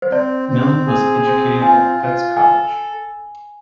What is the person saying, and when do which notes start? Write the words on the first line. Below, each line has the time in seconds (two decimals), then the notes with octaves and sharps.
Milne was educated at Fettes College.
0.02 C5
0.11 C4 D5
0.49 C4
0.87 G#4
1.25 C4
1.62 F4 G#5
1.99 F4
2.37 A4 G#5